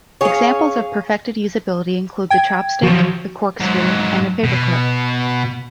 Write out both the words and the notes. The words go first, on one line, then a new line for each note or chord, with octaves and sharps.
Examples of perfected usability include the chopstick, the corkscrew and the paper clip.
C#4 G#4 C#5 F5
G5 G#6
F3 F#3 F#4
G#2 F#3
B2